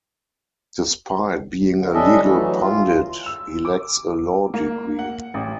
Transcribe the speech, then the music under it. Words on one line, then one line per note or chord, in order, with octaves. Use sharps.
Despite being a legal pundit, he lacks a law degree.
D3
G3 C#4 D4 A4 D#5 E5
E3 F#3 A3
F4
E6
D6
A#3
F#5
A1